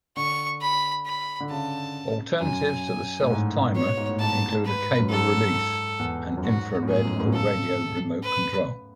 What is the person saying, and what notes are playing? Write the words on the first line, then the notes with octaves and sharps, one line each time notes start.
Alternatives to the self-timer include a cable release, and infrared or radio remote control.
D3 C#6
B5
B5
D3
C#3 A5
F#2 G#5
A2
G#2
B2 C#5
G#2
A2
G#2 A5
B4
F#2
G#2 A4
E2
F#2
G#2 F#4
A2
B2 G#4
F#2
G#2
A2
B2
C#3 A4
B4